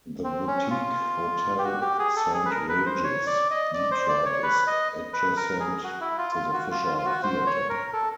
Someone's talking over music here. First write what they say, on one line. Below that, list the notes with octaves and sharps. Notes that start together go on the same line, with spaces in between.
The boutique Hotel Saint Regis, Detroit is adjacent to the Fisher Theatre.
C4
C#4
F4
G4
F#4
G4
G#4
A4
G#4
B4
A#4
B4
C5
C#5
D5
D#5
D5
C5
D5
C#5
B4
D#5
B4
A#4
G#4
F#4
E4
F4
F4
F#4
F4
F4
F4
F#4
C5
C#5
A#4
A4